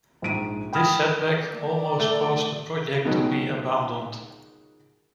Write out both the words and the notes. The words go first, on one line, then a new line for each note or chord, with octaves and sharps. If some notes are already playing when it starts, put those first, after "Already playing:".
This setback almost caused the project to be abandoned.
A#1 G#2 D7 D#7
G5 B5 D#6 F6 G#6
D5
A3
C#2 B2 D#3 F#3